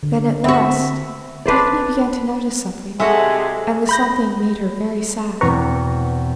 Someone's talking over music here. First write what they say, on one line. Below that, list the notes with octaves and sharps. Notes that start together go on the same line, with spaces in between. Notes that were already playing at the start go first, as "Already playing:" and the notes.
Then, at last, Tephany began to notice something, and the something made her very sad.
D3
C4 F#4 E5
D4 B4 C5 D5
C3 G#3 F#4 G#4 A4 E5 F#5
B5 G6 A#6
E2 B2 C4 B4 A#5 C#6